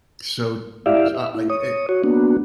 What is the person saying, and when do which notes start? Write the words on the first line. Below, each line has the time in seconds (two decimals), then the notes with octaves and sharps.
So n I e eh
0.86 E4 G4 D5 E5 F5
1.15 E5
1.35 E4
1.50 C#5 D#6
1.89 F#4 C#5
2.04 A#3 B3 D4 F#4